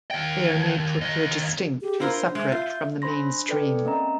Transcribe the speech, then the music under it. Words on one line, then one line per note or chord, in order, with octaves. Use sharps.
They are made to appear distinct and separate from the mainstream.
D#2 G5
D#2 D#5
G4 G#4
D4 E4 F4 A#4 C5
G#3 E5
F4 G6
D4 C5 B5 C6 A#6
A4 B4 D5 G5
A#3 C4 C#4 D#5 A#5